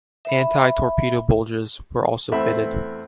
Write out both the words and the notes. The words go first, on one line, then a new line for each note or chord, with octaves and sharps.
Anti-torpedo bulges were also fitted.
E5 B5
E2 A3 C4 E5 B5 E6